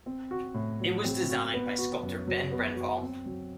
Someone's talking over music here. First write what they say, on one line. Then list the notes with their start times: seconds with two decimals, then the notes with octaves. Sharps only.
It was designed by sculptor Ben Renvall.
0.06 C4
0.31 F#4
0.54 A2
0.80 F#3
1.04 C4
1.29 F#4
1.54 B3
1.79 F#4
2.03 F#2
2.28 F#3
2.52 B3
2.76 F#4
3.02 C4
3.26 F#3